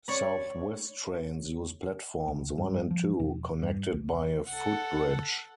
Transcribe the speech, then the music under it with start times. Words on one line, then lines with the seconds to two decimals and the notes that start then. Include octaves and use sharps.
South West Trains use platforms one and two, connected by a footbridge.
0.08 C#5 D5 B5
2.28 C#2
2.58 G2
2.91 F3
3.19 E1
3.62 G2
3.91 C2
4.50 A4 F#5